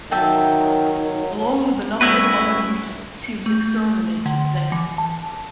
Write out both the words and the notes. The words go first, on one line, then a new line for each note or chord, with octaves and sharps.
Along with a number of other mutants, he was exterminated there.
D#3 F#3 E5 G5 A5
G3 A3 C#4 E4 F#4 B4
A3
D3
E3
A5